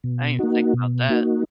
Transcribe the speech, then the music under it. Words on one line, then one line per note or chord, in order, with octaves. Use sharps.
I didn't think about that.
B2
A#3 D#4 F#4
B2
A#3 D#4 F#4